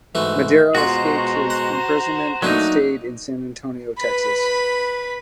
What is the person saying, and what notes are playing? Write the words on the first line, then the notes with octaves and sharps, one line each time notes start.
Madero escaped his imprisonment and stayed in San Antonio, Texas.
G#2 E3 G#3 A3 F#4
B2 G#3 F4 F#4 G#4 C5 A#5
F#5
F#3 A3 A#3 D4 D#4 F#4
B4 B5